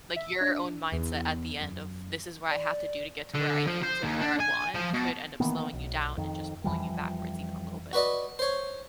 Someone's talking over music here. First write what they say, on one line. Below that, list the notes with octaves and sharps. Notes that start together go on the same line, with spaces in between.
Like, your own mindset at the end of, "This is what I have to do to get to where I am to where I want," could end up slowing you down, and just pulling you backwards even a little bit.
E5
D4
E2
F#2
D5
D3
F3
C5
D#2
D4
G#5
F3
B2
D#3 E3 A#3 B3
B1
F2 D#3
F2 E3 F3 G3
F#4 B4 D5 D#5
C5 C#5